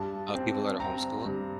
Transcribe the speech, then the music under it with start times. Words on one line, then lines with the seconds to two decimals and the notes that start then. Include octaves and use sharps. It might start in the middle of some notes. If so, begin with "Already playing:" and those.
Of people that are homeschooling?
Already playing: G2 A5
0.35 C4
0.80 C4 A#5
1.26 G2